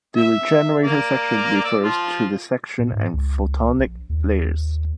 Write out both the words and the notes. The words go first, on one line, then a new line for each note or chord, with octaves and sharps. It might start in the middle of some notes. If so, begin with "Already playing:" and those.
The regenerator section refers to the section and photonic layers.
E5
A#3 D5
D5 E6
F3 F4
A#2
G#2
C#2
A#1
D#2